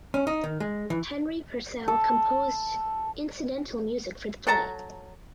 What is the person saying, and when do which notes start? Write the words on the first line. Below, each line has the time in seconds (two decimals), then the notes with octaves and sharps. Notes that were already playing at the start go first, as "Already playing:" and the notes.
Henry Purcell composed incidental music for the play.
0.14 C#4
0.27 D#4
0.44 D#3
0.60 G#3
0.90 E3
1.88 A4
4.47 F#3 A4 A5 A#5